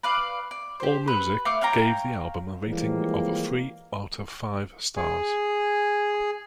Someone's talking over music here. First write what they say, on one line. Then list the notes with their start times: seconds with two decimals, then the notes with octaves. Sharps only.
Allmusic gave the album a rating of three out of five stars.
0.03 B4 D5 F5
0.51 D5
0.80 G4 C5
1.08 B4
1.45 A3 F5 D6
1.61 C#5 F5 G5 A#5
2.67 E3 F3 G3 G#3 A#3
4.96 G#4